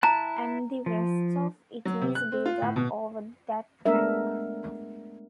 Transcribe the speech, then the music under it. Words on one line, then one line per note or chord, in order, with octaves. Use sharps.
And the rest of it is built up over that track.
E4 A5 A#5 F#6
F3
F#3
C3
F#6
C4
F4
A2
B2
G#3 A3 B3 D4 A#4 E5